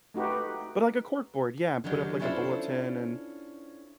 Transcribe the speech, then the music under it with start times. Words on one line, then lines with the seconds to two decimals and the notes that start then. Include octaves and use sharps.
But, like, a corkboard, yeah, and put up, like, a bulletin and,
0.14 A3 D#4 F#4 G4 B4
1.84 D3 D#3 F#3 B3 D4 G4
2.20 C#4 D4 E4 F4 A4 C5